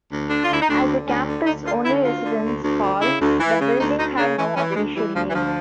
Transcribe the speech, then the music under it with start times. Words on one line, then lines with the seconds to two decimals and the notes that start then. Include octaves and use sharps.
As the campus's only residence hall, the building had no official name.
0.10 D2
0.29 D3 D4
0.44 F4
0.49 D2 E4
0.60 D#4
0.68 D2 D4
0.88 D3
1.07 D2 C#4
1.27 D3
1.45 D2 D#4
1.65 D3 F4
1.85 D3 E4
2.04 D2 F4
2.24 D3
2.43 D2
2.63 D2
2.82 D3
3.01 C#3 E4
3.21 D2
3.39 E3
3.60 C#3
3.79 D2 D#4
3.99 D2 D#4
4.17 C#3 D4
4.37 E3 C#4
4.56 E3 C#4
4.71 G3
4.75 D2 G#3
4.95 E3 G3
5.15 D2 F3
5.30 E3
5.34 D2 F3